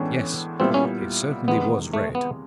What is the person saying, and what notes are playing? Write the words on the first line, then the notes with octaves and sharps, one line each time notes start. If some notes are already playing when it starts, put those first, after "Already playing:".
Yes! it certainly was red!
Already playing: A2 E3 G#3 B3 C#4 D4
A#2 G3 B3 C4 E4
C#4
E2 C3 D#3 G#3 B3
A3
B3